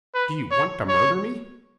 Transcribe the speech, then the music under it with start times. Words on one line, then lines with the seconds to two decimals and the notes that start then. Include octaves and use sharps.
"Do you want to murder me?"
0.15 B4
0.51 C#5
0.89 C#5